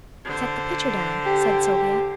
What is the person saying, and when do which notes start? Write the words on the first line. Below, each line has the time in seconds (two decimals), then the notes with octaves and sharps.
"Set the pitcher down," said Sylvia.
0.25 D3 C5
1.26 G4